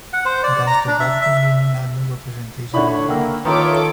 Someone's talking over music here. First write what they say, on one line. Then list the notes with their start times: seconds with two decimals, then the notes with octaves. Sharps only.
Thus the rugby union had no representation on the board.
0.13 F#5
0.26 C5
0.43 D5
0.67 A#5
0.87 D4
1.00 E5
1.21 E5
2.74 D3 E4 C#5 D5 E5 B5
3.09 A#3 F#5 G5 E6
3.45 D#3 F4 A4 B4 C#5 E5 A#5 D6